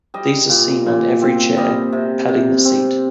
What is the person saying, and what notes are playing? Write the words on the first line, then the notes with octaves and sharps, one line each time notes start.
These are seen on every chair, padding the seat.
G3 D#5
A#2
A#2
C4
G3 D#5
C3
C3
C4